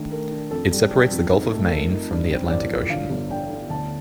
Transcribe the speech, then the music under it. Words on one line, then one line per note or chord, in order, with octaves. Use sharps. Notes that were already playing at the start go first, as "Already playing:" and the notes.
It separates the Gulf of Maine from the Atlantic Ocean.
Already playing: D#3 A3 D4
A3 A#4
D4
F2 A4
G3
G3
F2
D#4
A3
A4
A3 A#4
D#4
G2
C4
A1 D5
F3
D3 F5
G1
D3 G5
D3
D2 A5